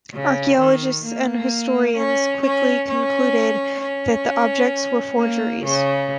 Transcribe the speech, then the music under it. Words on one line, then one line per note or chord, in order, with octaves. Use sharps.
Archaeologists and historians quickly concluded that the objects were forgeries.
C#3
D#3
A#3
C#4
C#4
C#4
C#4
A#3
C#3